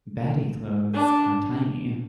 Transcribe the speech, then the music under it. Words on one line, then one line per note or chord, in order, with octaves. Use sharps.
Bady clothes are tiny.
D4